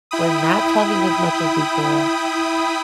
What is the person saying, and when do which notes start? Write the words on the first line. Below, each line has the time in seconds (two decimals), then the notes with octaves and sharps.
we're not talking as much as before,
0.11 E4 G5 B5 D#6